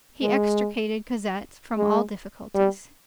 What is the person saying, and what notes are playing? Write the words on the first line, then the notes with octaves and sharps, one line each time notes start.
He extricated Cosette from all difficulties.
G#3
G#3
G3